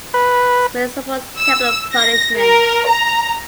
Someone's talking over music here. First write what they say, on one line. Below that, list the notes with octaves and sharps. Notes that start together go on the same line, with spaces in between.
Smith supports capital punishment.
B4
E6
A#6
A#4
A#5